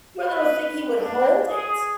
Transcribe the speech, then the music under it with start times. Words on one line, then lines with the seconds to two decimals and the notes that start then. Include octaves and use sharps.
Poor little thing, he would hold it.
0.23 B4
1.01 D4
1.47 G#4